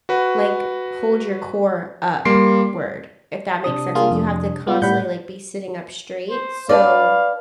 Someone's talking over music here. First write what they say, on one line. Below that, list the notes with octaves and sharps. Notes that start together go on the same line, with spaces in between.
like, hold your core upward, if that makes sense, like, you have to constantly, like, be sitting up straight, so
F#4 B4
G3 A#3 C6 C7 D7
C3 D4 D#6
A#3 F4 G#4
F2
G#3 B3 F4
A2 G3 F#5 B5 G6
C5
D4 B4 D5 F5